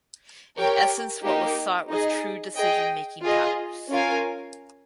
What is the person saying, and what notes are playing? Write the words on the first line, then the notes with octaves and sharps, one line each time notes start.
In essence what was sought was true decision making powers.
G4 A#4 C#5 G5
A#3 D#4 G4
D#4 G#4 D#5
G#4 D#5 G5
F4 G#4 D#5
C#4 F4 A#4 F5 G#5